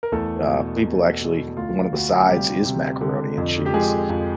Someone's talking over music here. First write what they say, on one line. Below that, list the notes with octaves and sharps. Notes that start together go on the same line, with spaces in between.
Uh, people actually one of the sides is macaroni and cheese.
A#4
E2 A3 A4
B2
B2
B2
D2 F4
D2 F#4
C3 G3 G4
C3
D3
F2
G4
F3 G#3 G#4
F2